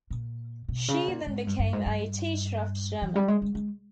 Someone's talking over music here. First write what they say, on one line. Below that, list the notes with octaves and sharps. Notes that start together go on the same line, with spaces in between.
She then became a teacher of German.
A#2
B2
C#3
A#2
G#2
G2
G2
G#2
G2
E3
G3
G#3
G#3
G#3